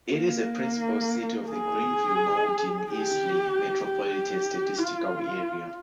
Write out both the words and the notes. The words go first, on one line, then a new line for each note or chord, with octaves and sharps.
It is a principal city of the Greenville-Mauldin-Easley Metropolitan Statistical Area.
A#3
G#4
G4
G4
F4